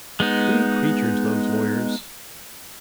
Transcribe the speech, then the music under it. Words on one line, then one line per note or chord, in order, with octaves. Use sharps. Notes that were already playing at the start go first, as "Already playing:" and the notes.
Shrewd creatures, those lawyers.
G#3 B3 D#4